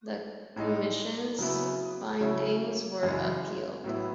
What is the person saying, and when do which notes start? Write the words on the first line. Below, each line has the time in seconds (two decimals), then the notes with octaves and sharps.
The Commission's findings were appealed.
0.56 A2 G#3 D#4
1.38 C#3 F#3 B3 E4
2.21 C#3 F#3 C#4 E4
3.03 F#2 C#3 E3 G#3
3.84 A2 F#3 B3 E4